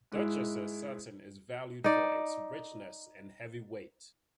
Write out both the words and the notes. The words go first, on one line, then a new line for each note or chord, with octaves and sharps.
Duchesse satin is valued for its richness and heavy weight.
G#2 G#3 E4
D#4 D5